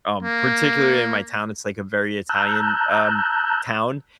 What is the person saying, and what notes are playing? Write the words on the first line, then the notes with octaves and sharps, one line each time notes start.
um, particularly in my town, it's like a very Italian, um, town,
A#3
A5 A#5 E6 F#6 G6